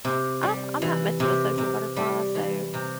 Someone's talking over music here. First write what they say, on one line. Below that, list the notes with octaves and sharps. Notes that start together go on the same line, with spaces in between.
I'm I'm not much of a social butterfly, so
C3
G3
E3
C3
C3
G3
E3
C3